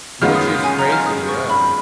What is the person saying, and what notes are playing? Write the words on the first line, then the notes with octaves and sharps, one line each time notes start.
Which is crazy. Yeah.
F#2 D#3 G#3 B3 F4 F6
D#6
G#5
A#5
F6
D#6
C#6
B5